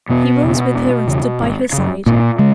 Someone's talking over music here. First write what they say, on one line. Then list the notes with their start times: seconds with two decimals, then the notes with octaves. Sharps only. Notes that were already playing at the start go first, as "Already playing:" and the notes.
He rose with her, and stood by her side.
0.09 E1 B2 B3
0.43 E2 C#3
0.75 E1
1.07 E2 C#3
1.40 G#1
1.73 C#3
1.78 F#2
2.06 G#1 A#2 A#3
2.39 C#3 G#3